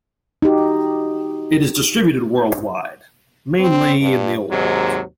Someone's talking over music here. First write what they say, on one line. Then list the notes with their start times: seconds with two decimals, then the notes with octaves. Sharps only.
It is distributed worldwide, mainly in the Old World.
0.42 D#4 F#4 G4
3.60 C4
4.01 G2
4.50 D#2 G#2 C3 F#3